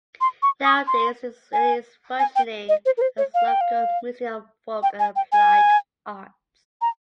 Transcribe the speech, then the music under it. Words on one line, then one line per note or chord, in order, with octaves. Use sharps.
Nowadays it is functioning as local Museum of Folk and Applied Arts.
C6
C#6
D#6
C6
G#5
G#5
G5
D#5
C5
A#4
C5
C#5
F5
G5
F5
G5
G#5
G5
G#5
A#5